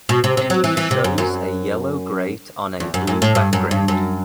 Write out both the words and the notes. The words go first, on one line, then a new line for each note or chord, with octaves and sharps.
It shows a yellow grate on a blue background.
B2
C3
C3
F#3
E3
E3
C3
F#2
F#2
E2
F#2
F#2
A2
G2
F#2
G2
F#2